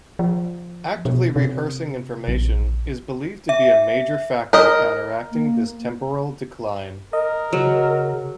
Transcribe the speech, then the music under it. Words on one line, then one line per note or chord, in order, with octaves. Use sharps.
Actively rehearsing information is believed to be a major factor counteracting this temporal decline.
F3
B2
C3
A#1
E5
A#4 D#5
A#3
A#4 D#5
C#3 F#3